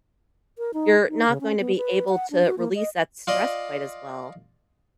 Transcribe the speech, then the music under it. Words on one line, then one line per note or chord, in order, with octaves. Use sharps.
you're not going to be able to release that stress quite as well
A#4
D#4
D#4
C#3
C#4
B3
B4
F#5
D4
F#4
A#3
D#5
F4 D5 D#5